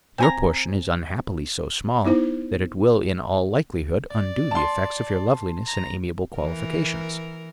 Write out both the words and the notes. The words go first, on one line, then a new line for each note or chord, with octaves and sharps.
Your portion is unhappily so small that it will in all likelihood undo the effects of your loveliness and amiable qualifications.
C4 G#5 A#5
B3 D#4 E4 C5
D5
A5 C6
A#5
E3 A#4